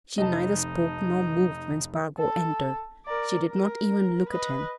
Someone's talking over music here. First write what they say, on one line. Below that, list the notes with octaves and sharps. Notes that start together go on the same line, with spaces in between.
She neither spoke nor moved when Spargo entered: she did not even look at him.
F1 D#4 D#5 A5
A4
A#4 D5
A#4
B4 D#5